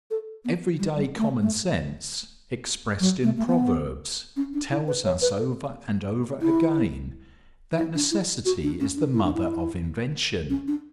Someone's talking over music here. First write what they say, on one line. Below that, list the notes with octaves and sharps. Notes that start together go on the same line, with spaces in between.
Everyday common-sense, expressed in proverbs, tells us over and over again that necessity is the mother of invention.
A4
B3
G3
G3
A3
A3
F#3
A3
A3
B3
C#4
D4
E4
B4
C#5
B4
A4
E4
E4
D4
E4
F#4
D4
C#4
D4
E4
D4
E4
C#4
D4